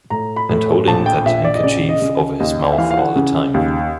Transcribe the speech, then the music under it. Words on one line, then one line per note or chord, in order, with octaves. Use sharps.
And holding that handkerchief over his mouth all the time.
A2 A#5
B5
A2
A#1 A5
G5
A#1 E5
D5
D#5
C#3 D5
D#5
C#3
D#2 D#5
E5
E3 F5
F5
F#5
C#3
D#2